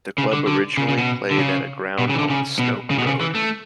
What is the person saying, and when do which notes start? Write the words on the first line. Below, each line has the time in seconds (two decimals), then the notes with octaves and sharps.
The club originally played at a ground on Stoke Road.
0.18 C#3
0.33 D3
0.47 D3
0.77 C#3
0.88 C#3
0.98 B2
1.31 D3
1.39 C#3
1.99 B2
2.09 C#3
2.15 E3
2.19 D3
2.30 C#3
2.59 B2
2.90 C#3
2.99 B2
3.07 C#3
3.21 E3
3.35 A3